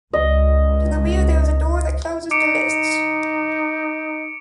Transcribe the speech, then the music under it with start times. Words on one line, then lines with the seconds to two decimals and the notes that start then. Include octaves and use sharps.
To the rear there is a door that closes the lists.
0.13 C#2 D#5
2.31 D#4 D6 C#7 D7